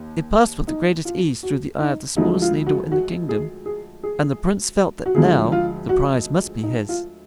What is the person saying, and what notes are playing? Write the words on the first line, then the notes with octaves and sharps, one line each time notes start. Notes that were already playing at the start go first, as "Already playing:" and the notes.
It passed with the greatest ease through the eye of the smallest needle in the kingdom, and the Prince felt that now the prize must be his.
Already playing: D#2
D#4
F4
F#4
D#4
D2 D3 F3 G#3 D#4
F4
F#4
F#4
G#4
G#4
G#4
F#4
D2 D3 F3 G#3 G#4
F4
F#4
D#4
F4